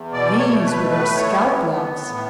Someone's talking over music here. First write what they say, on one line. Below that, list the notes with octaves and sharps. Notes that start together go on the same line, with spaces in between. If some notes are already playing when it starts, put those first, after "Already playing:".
These were their scalp locks.
Already playing: E2
B2 D5
C#5
A3
B4
A2 B4
C#5
B3
B3
A2